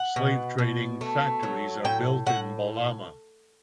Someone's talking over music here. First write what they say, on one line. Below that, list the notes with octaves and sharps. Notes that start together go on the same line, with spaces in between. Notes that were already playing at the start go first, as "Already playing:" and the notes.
Slave trading factories are built in Bolama.
Already playing: F#5
B2
B2
A3
F#3
A2 G5
A2 F#5